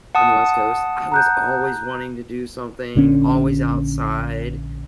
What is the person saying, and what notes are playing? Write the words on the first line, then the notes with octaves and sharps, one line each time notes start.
on the West Coast, I was always wanting to do something, always outside,
F#5 A5 D#6
A#5 F#6 G6
A#1 D3 E3 C#4